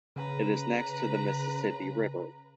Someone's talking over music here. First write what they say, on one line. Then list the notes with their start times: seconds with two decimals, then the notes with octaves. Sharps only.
It is next to the Mississippi River.
0.16 C#3 B4 A#5